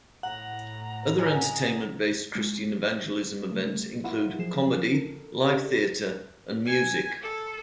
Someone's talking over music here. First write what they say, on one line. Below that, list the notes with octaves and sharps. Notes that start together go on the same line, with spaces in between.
Other entertainment-based Christian evangelism events include comedy, live theater and music.
A2 F#5 A#5
G#3 C#4 D#4
G#3
C#3 G3 A3
E4 F4 A#4 E5 F#5
F3 F#3 G#4 C7 E7
A4 A#4
G4 D5
A4
G#5
A4